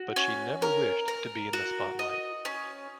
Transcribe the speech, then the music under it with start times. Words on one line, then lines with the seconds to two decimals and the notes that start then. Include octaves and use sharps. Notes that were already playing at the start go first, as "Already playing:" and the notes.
But she never wished to be in the spotlight.
Already playing: F#4
0.16 C#4
0.62 A#4
1.08 A#4
1.53 F#4
1.99 D#5
2.45 C#4